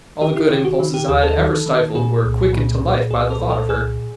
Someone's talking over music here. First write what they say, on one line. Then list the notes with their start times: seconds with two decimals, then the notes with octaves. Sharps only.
All the good impulses I had ever stifled were quickened to life by the thought of her.
0.21 D#3 G4
0.36 E4
0.50 D#3 G4
0.65 F#4
0.80 D#3
0.94 G4
1.08 D#2 G#4
1.23 A4
1.37 D#3
1.66 D#3
1.95 A#2 G#4
2.24 C2
2.53 A#2
2.81 A#2
3.11 C2 G#4
3.30 A4
3.39 A#2
3.49 A4
3.69 C2 G#4